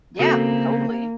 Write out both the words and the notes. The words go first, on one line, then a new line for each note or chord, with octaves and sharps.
Yeah, totally.
C#3 A#3 C4 F#4 A4